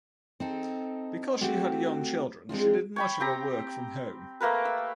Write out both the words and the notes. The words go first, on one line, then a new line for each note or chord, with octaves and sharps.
Because she had young children, she did much of her work from home.
C4 D#4 A4
A3 C4 F#4 G4
G#3 C4 D4 F4
C#5 G5 B5
C4 G4 A#5
A3 A#3 A#4 B4
E5